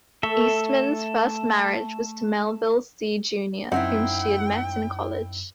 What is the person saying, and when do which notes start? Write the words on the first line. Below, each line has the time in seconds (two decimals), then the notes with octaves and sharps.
Eastman's first marriage was to Melville See Junior whom she had met in college.
0.23 A3 A4 E5
3.72 F#2 C4 D#4 E4 F#5 G5